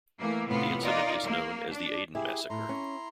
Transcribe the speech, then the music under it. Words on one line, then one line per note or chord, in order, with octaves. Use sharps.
The incident is known as the Ehden massacre.
E3 A3 A#3
A2 C3 B3 F4
D#4 F4 A#4 D5 D#5
A#3
D4
E4 G4 G#4
A2 E4 A#5 C6
C#4